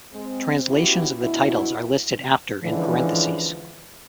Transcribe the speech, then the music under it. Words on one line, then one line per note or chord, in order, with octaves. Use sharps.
Translations of the titles are listed after, in parentheses.
G#3 C4
B3 C#4 E4 F#4 G4
D2 B2 E4
D3 E3 F3 G#3 C#4